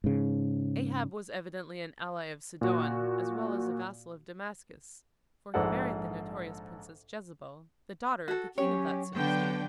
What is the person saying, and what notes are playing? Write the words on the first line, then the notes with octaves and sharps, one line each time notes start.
Ahab was evidently an ally of Sidon as well as a vassal of Damascus, for he married the notorious princess Jezebel, the daughter of the king of that city State.
G#2 C#3
A#2 F#4
A#1 G#2 A4 C5 D5 F#5
F#4 A4
F#3 C#4 G4 C#5
D3 F#3 B3 D4 G5